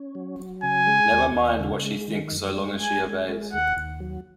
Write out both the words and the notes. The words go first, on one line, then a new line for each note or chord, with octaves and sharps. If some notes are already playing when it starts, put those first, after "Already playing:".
Never mind what she thinks so long as she obeys.
Already playing: C#4
F#3
F#3
C#3 G#5
G#3
D#2
D#2
C#3
G#3
D#3
F#2
G#3
G#3 G#5
G#3
G#3
D#2 F#5
D#2
F#3